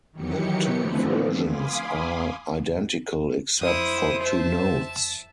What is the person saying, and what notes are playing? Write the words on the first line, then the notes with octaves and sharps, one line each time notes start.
The two versions are identical except for two notes.
D#3 E3 F#3 G4 C#7
D3 E3 F3 A3 B3 C4
F5 G#5 B5 C6 D6 D#6
F2 E4 C5 D#6
E5 A5